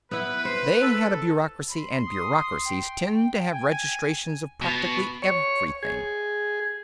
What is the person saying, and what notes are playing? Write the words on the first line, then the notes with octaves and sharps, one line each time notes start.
They had a bureaucracy, and bureaucracies tend to have registrations of practically everything.
B3 E4 B4
C5
A4
B5 C6
D#6
G5
G#5
B2
C#5
G#4